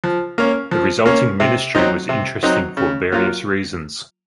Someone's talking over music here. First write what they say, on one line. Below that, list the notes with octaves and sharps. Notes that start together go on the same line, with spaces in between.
The resulting Ministry was interesting for various reasons.
F3
A#3 C#4
F3
A#3 C#4
C3
F#3 C4 D#4
C3
F#3 C4 D#4
C#3
F#3 A#3 F4